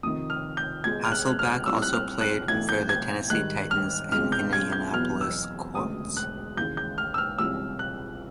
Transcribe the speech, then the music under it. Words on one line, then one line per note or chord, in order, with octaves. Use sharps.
Hasselbeck also played for the Tennessee Titans and Indianapolis Colts.
F2 C3 D#3 D#6
F6
G6
C#2 B2 G#3 G#6
F6
F#6
F#6
F6
A#2 G3 C4 E4 E6
F#6
F6
F#6
B1 A2 E3 A3 G#6
G6
G#6
G#2 D#3 G3 F#6
F6
C#2 B2 G#3 C4 F6
G6
G#6
G6
E2 B2 F#3 B3 F6
E6
E1 D2 C#3 D#6
F#6
D#2 C#3 E3 G#3 G6
G6
F6
E6
F6
C#2 C3 E3 G3 E6
F#6